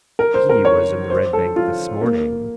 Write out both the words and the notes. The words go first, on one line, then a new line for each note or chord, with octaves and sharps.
He was in the Red Bank this morning.
A#4
C5
A#4
C#5
C5
A4
F4
A#3